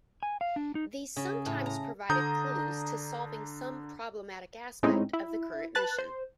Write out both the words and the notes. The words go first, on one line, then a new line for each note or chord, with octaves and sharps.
These sometimes provided clues to solving some problematic aspect of the current mission.
G#5
F5
D4
D#4
C#3
A2
A#5
D3 D4 A#5 D#6 G6
A2 G#3 C4 C#4 D#4 E4
E4
B4 A5 F#6 A6
C5